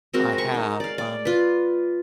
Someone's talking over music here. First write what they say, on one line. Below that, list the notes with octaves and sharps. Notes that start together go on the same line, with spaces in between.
I have, um
G#3 C4 F#4 A#4
C#6
D#4
D5 F5
D5
F4 B4